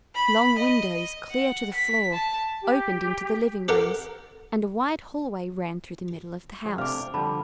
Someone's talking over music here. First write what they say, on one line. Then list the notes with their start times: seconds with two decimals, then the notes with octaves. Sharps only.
Long windows clear to the floor opened into the living rooms and a wide hallway ran through the middle of the house.
0.15 B5
0.59 D#5
1.32 F#5
1.74 B6
2.14 A5
2.61 G4
3.68 G4 A4 A#4 F#5
6.66 F3 G#4 C#5
6.78 C3 A3 D4 F5 D6 F6
7.14 D3 F3 G3 A5 B5